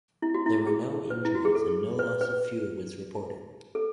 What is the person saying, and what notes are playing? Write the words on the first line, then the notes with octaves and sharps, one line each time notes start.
There were no injuries and no loss of fuel was reported.
E4
F#4
E4
G#4
B4
E4
F#4
G#4
A4
B4
B4
A4